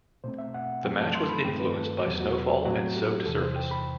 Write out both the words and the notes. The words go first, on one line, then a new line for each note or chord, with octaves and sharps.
The match was influenced by snowfall and soaked surface.
B2 A3 C4 C5
E5
F#5
F#2 F#3 A3 C4 G5
A5
C6
B5
G2 D#3 A3 C4 G5
B4
A4
F#4
E2 B2 F#3 B3 G4
F#4
A2 F#3 A3 C4 F#4
G4
E2 C3 E3 A4
C5
G5
B5